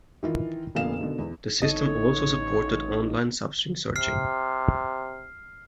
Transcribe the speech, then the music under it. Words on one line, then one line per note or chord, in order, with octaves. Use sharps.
The system also supported on-line substring searching.
D#3 E3 F4
F1 A#2 D3 B3 F5 E7
B2 D3 D#3
E2
A1 D#4 A4 C#5 D#5
C3 F6 C7